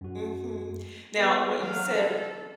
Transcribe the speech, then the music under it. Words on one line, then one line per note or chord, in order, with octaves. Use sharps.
Mhm, now, what you said, r r
F#2 F#4
B3
F#3 F5
A4